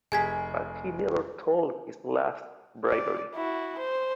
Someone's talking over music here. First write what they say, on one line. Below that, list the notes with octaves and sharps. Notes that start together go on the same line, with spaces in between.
But he never told his last bravery.
F1 G#4 G#5 G#6 B6
D5
E4 F#4
C5